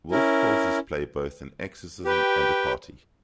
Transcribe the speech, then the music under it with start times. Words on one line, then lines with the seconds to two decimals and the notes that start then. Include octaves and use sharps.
Wolfe calls his play both, 'an exorcism and a party.
0.11 C#4 E4 A#4
2.05 G4 B4 G5